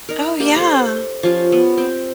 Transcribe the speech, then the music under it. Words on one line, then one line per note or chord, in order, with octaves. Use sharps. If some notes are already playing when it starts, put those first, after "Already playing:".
Oh, yeah.
D#4 A#4
A#3 G4
A4 C5
F3 C#4 F4 G4
B3
C4 G5